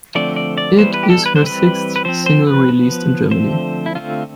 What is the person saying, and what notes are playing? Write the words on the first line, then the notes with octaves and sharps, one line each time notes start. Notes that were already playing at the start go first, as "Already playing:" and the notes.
It is her sixth single released in Germany.
D3 F3 A3 C4 D5
D5
D5
E3 G3 B3 C5
B4
G4
A4
B4
C5
E3 G3 C4 B4
B4
F3 C4 C5
C5
B4
F3 B3
D3 F3 A3 C4 C5
E4
D3 A3 C4 F4